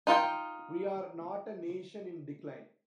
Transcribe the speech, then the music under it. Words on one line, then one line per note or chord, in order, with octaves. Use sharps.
We are not a nation in decline.
D#4 F4 F#4 G5